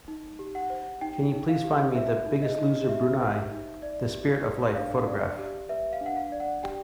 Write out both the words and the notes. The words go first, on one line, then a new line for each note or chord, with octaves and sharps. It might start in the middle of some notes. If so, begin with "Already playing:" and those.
Can you please find me The Biggest Loser Brunei: The Spirit of Life photograph?
D#4
G4
F#5
C5
D#4 G5
D#4
F5
G4
C5 E5
D#4
D#5
D#4
G4 E5
C5
D#4
D5
G4
B4
D4 F5
D5
G4
B4 E5
F5
D4 F#5
F5
D5
F#5
G4 G5